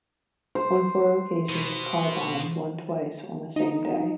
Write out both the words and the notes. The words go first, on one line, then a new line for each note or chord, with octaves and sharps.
On four occasions Carbine won twice on the same day.
C5
B2
D#4